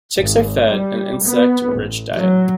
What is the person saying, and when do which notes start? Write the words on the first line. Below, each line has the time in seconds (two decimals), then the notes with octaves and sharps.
Chicks are fed an insect rich diet.
0.17 G#1
0.69 G3
1.24 B3
1.75 A1
2.15 F#3